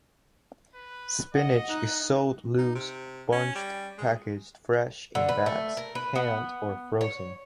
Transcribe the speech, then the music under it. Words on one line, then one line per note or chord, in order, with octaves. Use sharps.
Spinach is sold loose, bunched, packaged fresh in bags, canned, or frozen.
B4
D#5 F#5
D#4 F#6
D#4
C3
C#4
G3
G#3
D3
B4
A3
A#4
B4
B3
C#5